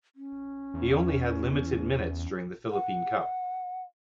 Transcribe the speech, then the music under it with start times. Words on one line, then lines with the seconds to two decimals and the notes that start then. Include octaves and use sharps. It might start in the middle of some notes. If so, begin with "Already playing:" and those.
He only had limited minutes during the Philippine Cup.
0.16 C#4
0.74 E2
2.72 F#5